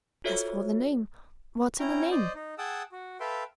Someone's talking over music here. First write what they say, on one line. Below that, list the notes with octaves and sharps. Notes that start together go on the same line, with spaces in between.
As for the name--what's in a name?
F4 F#4 A4 C5 C#5 E5
C#4 E4 G5 A#5
C5 D5 D#5
D#4
G#4 F#5 G5 A5 D#6 E6
F#4
A4 B4 E5 F5 G5 C6